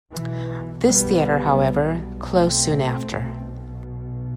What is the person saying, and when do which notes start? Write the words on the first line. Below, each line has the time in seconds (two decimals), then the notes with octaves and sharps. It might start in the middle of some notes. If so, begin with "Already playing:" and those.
This theatre, however, closed soon after.
0.13 B1 B2 E3
0.86 G3 B3
2.32 A3 C4
3.04 B1 B2